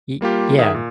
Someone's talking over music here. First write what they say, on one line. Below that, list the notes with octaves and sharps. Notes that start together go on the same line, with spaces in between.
Ye Yeah.
G3 A#3 F4 G4
D#3 G#4 E5 D#6
A#2